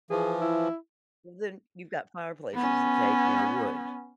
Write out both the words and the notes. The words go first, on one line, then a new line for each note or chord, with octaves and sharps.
Well then, you've got fireplaces that take, you know, wood,
E3 F3 G#4
E4
B3 C#4